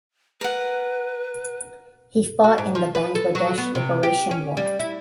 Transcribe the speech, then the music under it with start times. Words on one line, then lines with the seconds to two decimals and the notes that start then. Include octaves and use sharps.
He fought in the Bangladesh Liberation war.
0.41 A#4 B4 F#5
2.44 F#4
2.58 G#2
2.75 F3
2.95 B4
3.15 A4
3.35 F#3
3.58 B3
3.75 C3
4.03 G4
4.31 C#4
4.57 G3
4.79 E4